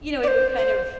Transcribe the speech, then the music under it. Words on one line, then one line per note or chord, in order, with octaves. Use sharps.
you know, he would kind of
D5
C5
C5